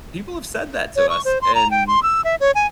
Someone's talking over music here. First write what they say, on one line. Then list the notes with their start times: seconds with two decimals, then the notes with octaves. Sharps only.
People have said that to us, and
0.96 C#5
1.09 C#6
1.25 C5
1.41 C6
1.55 A#5
1.71 G5
1.87 C6
2.03 E6
2.24 E5
2.40 C#5
2.55 G#5